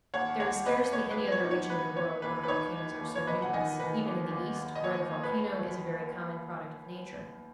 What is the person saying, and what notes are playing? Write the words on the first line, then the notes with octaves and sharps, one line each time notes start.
There is scarcely any other region in the world where volcanoes are so numerous, even in the East, where the volcano is a very common product of nature.
D#2 C#5 F#5
D#2 C#5 F#5
B3 B4 D#5
B3 C#5
B4
B3
C#5
D#4
C#5
B3 B4
B3 C#5
D#2 B4
B4
D#4 C#5
D#4
D#2
C#5
B3 B4 D#5
F#5
D#3 D#5 G#5
D#3 B4
D#2
D#2
D#2
D#5
D#2 C#5
D#2
B4